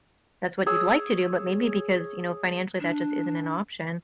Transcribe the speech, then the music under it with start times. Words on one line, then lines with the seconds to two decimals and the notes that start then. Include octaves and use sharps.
that's what you'd like to do, but maybe because, you know, financially, that just isn't an option.
0.66 G#4 C#5 E6
2.80 D4